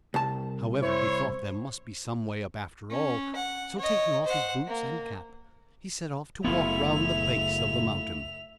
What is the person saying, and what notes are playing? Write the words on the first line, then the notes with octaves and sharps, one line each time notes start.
However, he thought there must be some way up after all; so taking off his boots and cap, he set off to walk round the base of the mountain.
C2 A5
E4 C5 C#5
C#4
F#5
C#5 D#5
C5 F#5
A#3
F#1 A3 B3 E4 F4 E5 F7